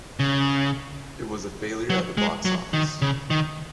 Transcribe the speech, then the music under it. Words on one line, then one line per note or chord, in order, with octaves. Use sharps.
It was a failure at the box office.
C#3
F#3
G#3
F#3
D#3
C#3
D#3